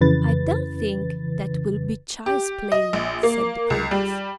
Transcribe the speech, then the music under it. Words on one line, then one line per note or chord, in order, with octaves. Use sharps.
'I don't think that will be child's play,' said the Prince.
F2 C#3 E3 B4 A6
G4
D#5
A#1
A#3
C#2
G3